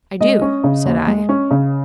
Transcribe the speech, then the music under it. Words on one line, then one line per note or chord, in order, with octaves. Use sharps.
"I do," said I.
G#3 D#5
C#4
C#3
D#2
G#3
C#4
C#3